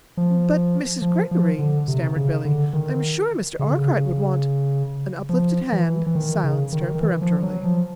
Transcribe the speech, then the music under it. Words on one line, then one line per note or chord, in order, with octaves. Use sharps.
"But, Mrs. Greggory," stammered Billy, "I'm sure Mr. Arkwright would want--" An up-lifted hand silenced her peremptorily.
F3
F3
F3
D3
C3
C#3
D3
D#3
C#3
D3
C#3
F3
E3
E3
D#3
C#3
D#3
D#3
E3
F3
F#3
F3